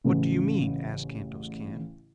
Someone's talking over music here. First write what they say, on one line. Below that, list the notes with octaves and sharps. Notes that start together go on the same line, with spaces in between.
"What do you mean?" asked Kantos Kan.
A1 C#3